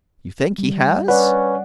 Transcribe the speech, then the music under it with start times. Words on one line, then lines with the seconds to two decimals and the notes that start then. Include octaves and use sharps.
"You think he has?"
0.58 G3
1.08 C#4 B4 D5 F#5